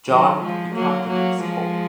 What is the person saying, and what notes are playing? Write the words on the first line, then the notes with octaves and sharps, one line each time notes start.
John to become the next pope.
D#3 F#3
F3 G#3
F#3 A#3
F#3 A#3
F3 G#3